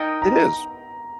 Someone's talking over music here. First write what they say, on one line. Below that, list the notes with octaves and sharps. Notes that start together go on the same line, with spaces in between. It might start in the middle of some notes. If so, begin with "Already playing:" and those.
It is.
Already playing: D#4 A#4 D#5 G5
A#5